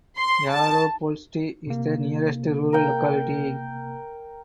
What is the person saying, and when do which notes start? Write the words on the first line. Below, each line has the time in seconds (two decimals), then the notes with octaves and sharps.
Yaropoltsy is the nearest rural locality.
0.18 C6
0.50 A5
1.67 C3 A#3
2.73 A#4 G5